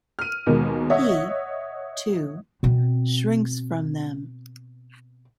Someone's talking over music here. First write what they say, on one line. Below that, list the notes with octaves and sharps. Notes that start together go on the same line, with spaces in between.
He, too, shrinks from them.
F6 D#7
D#2 B2 G#3 A#3
C#5 D#5 E5 F#5
B2 C4